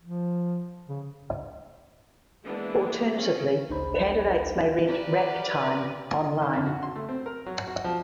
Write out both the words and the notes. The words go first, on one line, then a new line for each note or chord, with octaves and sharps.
Alternatively, candidates may rent "rack time" online.
F3
C#3
E3 G#3 A#3 B3 D4
C4 C#4 G#4 A#4
A1 D2 D4 D#4 C5 B5
G4 A#4 B4 D5
D#3
F2
F#4
C6
A3
C4
A#4
F#3
F#4
F3